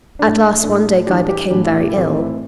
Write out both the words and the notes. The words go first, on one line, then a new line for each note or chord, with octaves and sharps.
At last one day Guy became very ill.
A2 A3 D4
A2 A3 D4
A2 E3 G3 D4 G4
G4
A2 E3 G3 D4 G4
E4
G4
E4
A2 E3 A3 C4 G4
E4